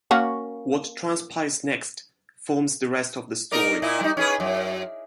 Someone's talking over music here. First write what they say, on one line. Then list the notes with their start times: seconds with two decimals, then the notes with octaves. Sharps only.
What transpires next forms the rest of the story.
0.11 A#3 C#4 F#4
3.52 D#4 A#4 D5
3.82 A#2 D#4 E4
4.01 G3 D#4
4.17 C#4 G#4 B4
4.40 F#2